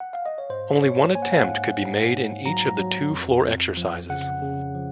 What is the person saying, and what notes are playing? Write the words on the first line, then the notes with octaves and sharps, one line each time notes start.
Only one attempt could be made in each of the two floor exercises.
F#5
F5
D#5
C#5
G#2 C5
G#2 C#5
A#3 G#5
F#5
F5
F#5
G#2
G#2
G#2
F#3 A#5
F#3
F2
F2
F3
C#3 F#5
C#3
F3